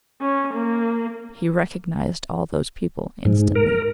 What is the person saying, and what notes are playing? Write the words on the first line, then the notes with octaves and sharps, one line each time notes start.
He recognized all those people instantly.
C#4
A#3
G#2
A#4